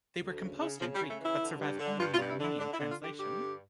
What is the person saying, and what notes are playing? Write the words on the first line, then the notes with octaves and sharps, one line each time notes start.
They were composed in Greek but survive only in Armenian translation.
D2
C#3
C#3
C#3 F3
G3
C#3
A3
E3
E4
D3
G2
D3
G2 F4
F4
G2
E4
D3 E4
D3 D4
E4
D3
F4
D3
G4
G2 G4
D3